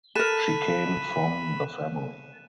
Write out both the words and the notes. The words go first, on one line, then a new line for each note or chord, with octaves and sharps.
She came from the family.
A4 A#4 B5 F#6 D#7 E7